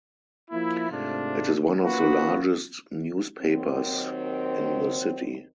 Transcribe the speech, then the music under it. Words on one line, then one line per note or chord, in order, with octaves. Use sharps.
It is one of the largest newspapers in the city.
F3 A#3 E4
G#2 C3 A3 D4 F4
A#3 C#4 F4 F#4 B4
D#2 D#3 F#3 C4